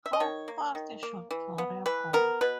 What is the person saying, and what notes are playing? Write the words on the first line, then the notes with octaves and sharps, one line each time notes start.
How fast should Gloria go?
E5
D#5
D#3 C#5
A#3
D#3
A#3
E3
B3
E3 B4
B3 A#4
B2 B4